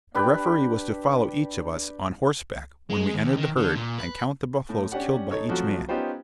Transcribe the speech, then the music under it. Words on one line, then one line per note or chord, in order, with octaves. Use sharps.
A referee was to follow each of us on horseback when we entered the herd, and count the buffaloes killed by each man.
D4 G4 B4
G#3
D#2
D#3
D3
A#2
B4
A2
C#4 D4 G4 F#5
D#4 A4 C#5
F2 F3 F#3 A3 F#4
B3 C#4 D#4 F4 G4 C5